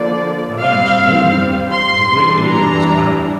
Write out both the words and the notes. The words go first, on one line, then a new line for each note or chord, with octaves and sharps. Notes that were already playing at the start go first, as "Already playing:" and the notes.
I learnt no good there, but a great deal that was bad.
Already playing: D3 F3 A#3 D5
G3 C4 F5
C6
E3 G3 D4
A#5